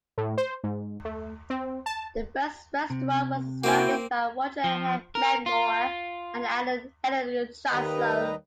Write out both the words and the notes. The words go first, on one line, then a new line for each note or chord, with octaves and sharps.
The first restaurant was established by Roger Meadmore and Allen and Helen Trachsel.
A2
C5
G#2
A3
C4
A5
C3
A#3 C4 E4 F#4 G5
F3
A#4
F4
D#2 D#3 G3 B4 D#5 A#5